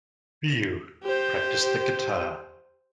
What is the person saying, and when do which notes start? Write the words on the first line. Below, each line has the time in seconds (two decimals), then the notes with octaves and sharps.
Ryu practised the guitar.
1.03 G4 C5